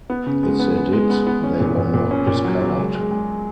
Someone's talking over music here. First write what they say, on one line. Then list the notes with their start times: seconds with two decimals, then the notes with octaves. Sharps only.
If they did, they were not discovered.
0.10 B3
0.26 C#3
0.43 G#3
0.59 B3
0.76 B3
0.93 G#3
1.10 B3
1.27 B3
1.44 C#4
1.60 A#2
1.77 A#2
1.94 A#2
2.11 C#4
2.27 A#2
2.45 F#3
2.61 F#3
2.77 G#3
2.94 G#3
3.11 G#3